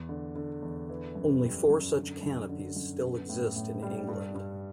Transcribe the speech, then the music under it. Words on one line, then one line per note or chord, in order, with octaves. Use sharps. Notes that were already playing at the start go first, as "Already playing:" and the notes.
Only four such canopies still exist in England.
Already playing: E2
D3
D3
E2
E3
F#2
G3
F#2
D3
F#2
D3
F#2
B3
A2
A2
G3
G2
G2